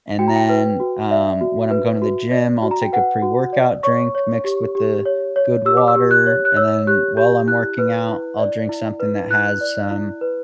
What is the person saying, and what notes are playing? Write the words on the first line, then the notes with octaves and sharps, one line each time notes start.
and then, um, when I'm going to the gym, I'll take a pre-workout drink mixed with the good water, and then while I'm working out, I'll drink something that has some,
F#4 G5
A#5
G5
B4
F#4
D5 E5
F#4
B4
F#4
D5
F#4
A#5
G5
B4 F#5
F#4
D5
C#5 C#6
C#5
G4
G4
C#5
C#5
G4 E6
D6
E6
G4
F#6
C#5
F#6
C#5 E6
G4 F#6
G4 G6
E4 F#6
B4
E4
D5
E4
B4
E4 F#6
D5
E4
B4